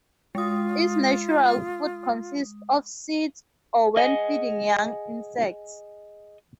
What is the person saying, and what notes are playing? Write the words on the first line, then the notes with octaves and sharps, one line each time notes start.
Its natural food consists of seeds, or when feeding young, insects.
G#3 F4 D#6
G#4 D#5 F#5 G#5